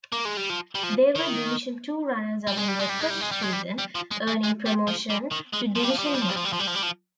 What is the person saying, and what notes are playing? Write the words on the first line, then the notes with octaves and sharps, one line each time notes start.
They were Division Two runners-up in their first season, earning promotion to Division One.
A#3
G#3
G3
F3
G3
F3
D#3
G3
G#3
G3
G#3
G3
G#3
G3
G#3
G3
G#3
G3
G3
F3
G#3
G#3
G#3
G3
F3
G3
D#3
G#3
F3
G3
F3
G3
F3
G3
F3
G3
F3
G3
F3
G3
F3
G3
F3